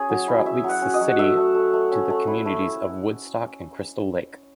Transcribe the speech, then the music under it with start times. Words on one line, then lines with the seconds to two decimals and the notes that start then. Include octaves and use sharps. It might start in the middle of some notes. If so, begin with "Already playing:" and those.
This route links the city to the communities of Woodstock and Crystal Lake.
Already playing: C#4 G#4
0.09 F#3
0.28 E4
0.46 C#4 E5
0.64 F#3
0.69 F#5
0.82 C#4
0.94 D#5
1.01 F#3
1.08 F#5
1.18 A3 E5
1.37 A3
1.55 A3
1.73 A3
1.92 C#4
2.10 A3
2.27 E4
2.46 A3